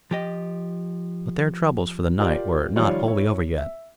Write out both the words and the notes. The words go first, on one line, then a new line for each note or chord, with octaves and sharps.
But their troubles for the night were not wholly over yet.
F3 G4 D#5
F4 G4 A#4 D5
D#3 F3 G3 F4 C#5 D5
E4 C#5
E5